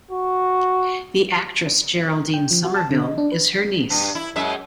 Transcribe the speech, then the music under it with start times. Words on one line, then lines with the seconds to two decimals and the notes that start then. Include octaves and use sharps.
The actress Geraldine Somerville is her niece.
0.11 F#4
2.34 G5
2.51 F3
2.64 F#4
2.76 A5
2.91 D3
3.02 D#5
3.18 D4
3.32 B4
3.90 G2
4.15 E4
4.36 F#2 G#3 E5